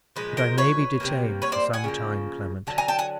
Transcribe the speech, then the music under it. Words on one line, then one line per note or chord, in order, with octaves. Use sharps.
But I may be detained for some time, Clement.
A#2 F3 G#3 B4
A#4 C5
B4 C#5
C3 D#3 G3 A#3
B4 C#5
C5 D5
F#5 G#5
C#3 F3 A#3
D3 F#3 A5
G#5 A#5
G5 A5
F#5 G#5